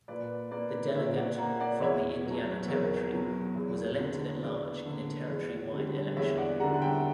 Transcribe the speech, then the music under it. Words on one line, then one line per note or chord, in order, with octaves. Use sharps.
The delegate from the Indiana Territory was elected at large in a territory-wide election.
A#2 B4 D5
A#3 B4 D5
A#2 C#5 E5
D5 F#5
A#3 F#5 A#5
D5 F#5
E2 C#5 E5
B2 F#3
E2 A#4 C#5
B2 F#3
E2
D3 A#3
E2 B4 D5
D3 A#3
E2
D3 G3
E2 C#5 E5
D5 F#5
D3 G3 F#5 A#5
F#5
E5 G5